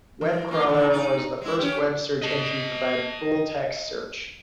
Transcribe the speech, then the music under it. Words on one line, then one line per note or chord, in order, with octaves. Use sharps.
WebCrawler was the first Web search engine to provide full text search.
E3
A#3 F4
A#2 D3 D#3
D#4 D5
G#3 E4
C#4 G4
D#5 A5